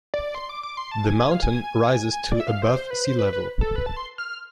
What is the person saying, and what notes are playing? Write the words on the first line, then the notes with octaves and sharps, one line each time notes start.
The mountain rises to above sea level.
D5
C6
D6
D6
C6
A5
G#5
G#5
F5
G#5
D5
E5
F5
C5
C5
B4
C5
B4
B4
A4
B4
A5
C6
F6